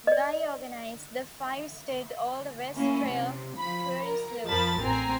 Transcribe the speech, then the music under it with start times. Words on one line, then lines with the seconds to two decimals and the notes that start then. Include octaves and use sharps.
Guy organized the five-state Old West Trail Tourist Loop.
0.07 D5 D#5
2.76 A#3 C#4 E4
3.08 C3
3.58 F3 B5
4.02 A#4
4.46 F2 F3 A#4 A5 B5 A6
4.79 A1 C4 G#5 A#5